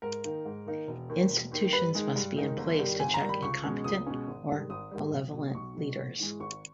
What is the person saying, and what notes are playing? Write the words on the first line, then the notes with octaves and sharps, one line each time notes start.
Institutions must be in place to check incompetent or malevolent leaders.
G#2 A#4
D#3 A#3 D#4
G#2
D#3 A#3 D#4
E1
D#2 D#3
E1
D#2 D#3
G2 B4
D#3 G#3 D#4
G2
D#3 G#3 D#4
G1
G2 D#3 G3
G1 G#5
A#5
G2 D#3 G3
B5
C#2 C#6
B2 G#3 C#4
C#2 D#6
B2 G#3 C#4
G#1
G#2 D#3 G3
G#1 D#6
G#2 D#3 G3
B1
B2 G3
B1 C#6
B2 G3
G#1
G#2 E3 G#3
G#1 C#6